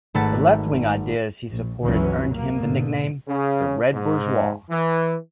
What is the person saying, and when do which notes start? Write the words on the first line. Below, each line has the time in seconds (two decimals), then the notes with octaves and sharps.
The left-wing ideas he supported earned him the nickname "The Red Bourgeois".
0.14 G#1 A3 B4 F#5 A5
1.51 A#1
1.82 G1 C#2 E3 F#3 C#4
2.28 A#2 A#3
2.59 G#2 B2 D3
3.28 C#3
3.94 G#2
4.70 E3